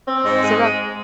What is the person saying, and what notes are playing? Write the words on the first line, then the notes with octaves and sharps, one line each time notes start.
So that's
C4
G#2
G#3